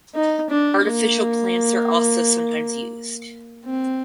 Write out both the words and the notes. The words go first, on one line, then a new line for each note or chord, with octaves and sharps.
Artificial plants are also sometimes used.
D#4
D4
A#3
C4